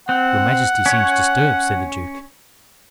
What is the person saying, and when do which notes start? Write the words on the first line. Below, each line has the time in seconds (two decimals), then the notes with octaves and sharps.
"Your majesty seems disturbed," said the duke.
0.09 C4 F#5
0.86 C#4 C#5